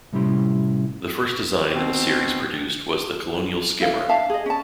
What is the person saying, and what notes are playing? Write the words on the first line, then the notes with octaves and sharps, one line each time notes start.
The first design in the series produced was the Colonial Skimmer.
A2 C3 G3 C#4 E4 C6
B2 C4
E4 A4 F5
D4 E5 F5 A5
G#4 D#5
C#4 A5